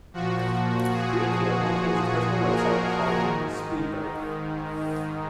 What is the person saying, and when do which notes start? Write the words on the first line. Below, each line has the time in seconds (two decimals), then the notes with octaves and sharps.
Greenfield maintains a personal Web site called Speedbird.
0.14 A#2 F3 F#4
0.91 G#4
2.07 G#4
2.46 A#4
3.24 G#2 D#3